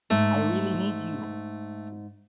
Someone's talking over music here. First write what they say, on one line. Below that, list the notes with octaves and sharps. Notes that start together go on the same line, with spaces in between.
I really need you.
G#2 A3